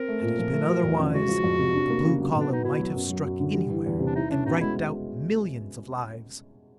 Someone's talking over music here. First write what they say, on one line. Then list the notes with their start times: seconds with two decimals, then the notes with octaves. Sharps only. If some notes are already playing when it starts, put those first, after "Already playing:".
Had it been otherwise, the blue column might have struck anywhere, and wiped out millions of lives!
Already playing: C4 A#4
0.08 A3
0.22 A#2
0.39 F3
0.53 A3
0.68 F#3
0.83 E2
0.98 C#3
1.13 G#3 F#4
1.28 F3
1.44 F2
1.59 C3
1.75 D4
1.90 A#3
2.04 C#3
2.20 F#3
2.35 B2 D4
2.49 B3 D#4
2.64 B2 E4
2.79 F#3
2.94 F#2
3.09 F#3
3.24 F#2
3.40 D3
3.55 G3
3.70 E3
3.86 E2
4.00 C3
4.06 D4
4.15 D#4 E4
4.30 C#4 D4
4.46 B2 D#4
4.60 G#3 E4